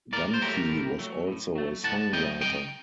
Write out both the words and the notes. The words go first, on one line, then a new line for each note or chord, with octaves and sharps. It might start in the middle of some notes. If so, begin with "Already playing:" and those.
Dunphy was also a songwriter.
A2 A#4 D5
C5
F#3 A3 G4 A#4
A2
F#3 A3
A2
F#3 A3
A2 F#5 A5
F#3 A3 D#5 G5
C2 D#5 G5